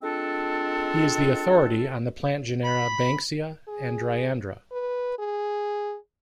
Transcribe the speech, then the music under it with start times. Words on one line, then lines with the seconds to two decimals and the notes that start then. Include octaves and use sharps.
He is the authority on the plant genera "Banksia" and "Dryandra".
0.02 G#3 C4 D4 F4 A4
2.65 B5
3.68 G#4
4.72 B4
5.18 G#4